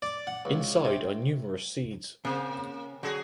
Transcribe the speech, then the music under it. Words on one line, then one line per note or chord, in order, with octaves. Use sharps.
Inside are numerous seeds.
D5
F#5
C#2
C3
C#3 A#3 C4 C#4
D3 F#3 F#4 G#4